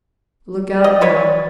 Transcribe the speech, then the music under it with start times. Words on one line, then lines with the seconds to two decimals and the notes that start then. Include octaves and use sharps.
Look out now.
0.72 D5
0.84 D#5
1.01 F#4 B4 C#5